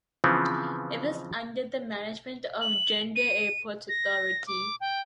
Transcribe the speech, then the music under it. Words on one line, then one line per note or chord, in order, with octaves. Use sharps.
It was under the management of the Grenada Airports Authority.
C#3 E3 F3 B3 C4
F#7
D#7
A#6
D6
G5